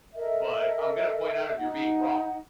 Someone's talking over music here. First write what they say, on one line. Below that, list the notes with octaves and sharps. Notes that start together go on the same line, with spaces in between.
but I'm gonna point out if you're being wrong,"
A4 A#4 D#5 E5
D#4 F#5